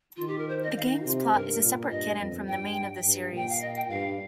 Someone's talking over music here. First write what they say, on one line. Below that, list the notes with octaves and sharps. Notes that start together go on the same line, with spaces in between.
The game's plot is a separate canon from the main of the series.
D#3 F4
G4
A#4
C5
D#5
D#3 F5
D#4
C3 F4
G4
G2 A#4
A#2
G2 D#5
F2
G2 G5
G2
A#2 G5
F5
D#5
G5
G2 F5